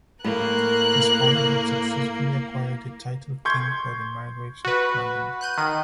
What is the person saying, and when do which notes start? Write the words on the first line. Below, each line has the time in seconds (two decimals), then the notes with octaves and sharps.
His father had successfully acquired the title King for the margraves of Brandenburg.
0.24 A2 A#3 A#4 F#6
3.45 C6 C#6 G6 G#6
4.65 F#4 B4
5.41 F#6 G6 D#7
5.58 D#3 D#7